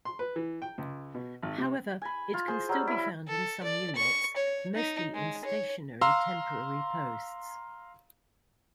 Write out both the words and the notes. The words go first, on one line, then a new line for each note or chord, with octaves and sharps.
However, it can still be found in some units, mostly in stationary temporary posts.
C6
B4
E3
G5
C#2
B2
G#1
C3
G#5 B5
F4
G#4 C5
F#3 G3
E4 F5
A4
D5
C#6
C#5
D#4
G#3
C#5
F5 A#5 C6 E6